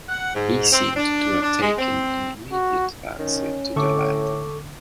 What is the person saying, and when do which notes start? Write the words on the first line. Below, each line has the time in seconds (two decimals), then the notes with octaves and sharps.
He seemed to have taken an immediate fancy to the lad.
0.09 F#5
0.34 G#2
0.72 C4
0.96 D4
1.42 D4
1.61 G#3
1.78 C4
2.53 F#4
3.19 D#3 C#4
3.76 A2 D3 A4 C#6 D6